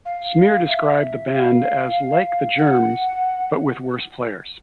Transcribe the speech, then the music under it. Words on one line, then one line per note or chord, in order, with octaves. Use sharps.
Smear described the band as "like the Germs, but with worse players".
F5
E5
F5
F#5